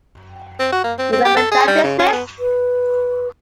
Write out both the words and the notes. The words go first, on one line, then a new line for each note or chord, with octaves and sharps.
You remember that business?
C4
F#4
A#3
C4
C4
G4
A4
G#4
G3
C#3
C#4
B3
B4